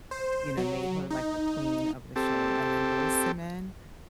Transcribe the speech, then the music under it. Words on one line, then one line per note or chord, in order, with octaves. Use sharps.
you know, made her like the queen of the show, and then Boyz II Men,
C5
F#3
D#4
C4 G4 A4